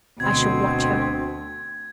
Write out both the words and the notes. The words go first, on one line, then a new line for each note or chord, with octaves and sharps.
I shall watch her.
D2 B2 C4 G#6